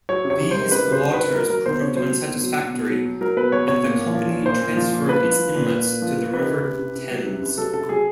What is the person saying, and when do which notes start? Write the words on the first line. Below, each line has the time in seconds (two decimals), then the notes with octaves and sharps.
These waters proved unsatisfactory and the company transferred its inlets to the River Thames.
0.09 F#3 C#5
0.25 C3
0.30 C#5
0.41 C3
0.51 D#3 C5
0.71 C3 B4
0.88 F#3 C5
1.03 F#3
1.13 B4
1.18 D#3
1.34 F#3 A#4
1.50 F#3 A#4
1.65 B2 C5
1.81 B2 C#5
1.97 F#3 C5
2.12 F#3
2.28 B2
2.43 F#3
2.59 B2
2.75 B2
2.90 F#3
3.05 F#3
3.21 F#3 A#4
3.37 B2 B4
3.52 F#3 C#5
3.68 B2 C#5
3.83 A#2
3.99 A#2
4.15 F3
4.30 A#2
4.46 A#2 C5
4.61 A#2
4.77 F3
4.93 A#2
5.08 F3 B4
5.24 F3
5.40 F3
5.55 A#2
5.70 A#2
5.86 A#2
6.02 F3
6.18 F3
6.33 D#3 B4
6.48 C3
6.65 C3
6.79 C3
6.96 C3
7.11 F#3
7.26 C3
7.42 C3
7.58 F#3 A4
7.73 C3 A4
7.89 F#3 G#4